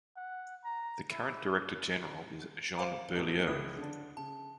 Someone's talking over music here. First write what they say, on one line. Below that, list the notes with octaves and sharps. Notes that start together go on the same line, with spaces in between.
The current director general is Jean Beaulieu.
F#5
A#5
E4
C5 F5 D6
A1 B3 F#4
C#2 E4 D#6 F#6
D3 D4
C#3 A5